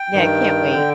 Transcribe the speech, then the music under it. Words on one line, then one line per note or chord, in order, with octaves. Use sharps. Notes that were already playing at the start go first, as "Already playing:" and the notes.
Yeah, I can't wait.
Already playing: G5
G2 D#3
D3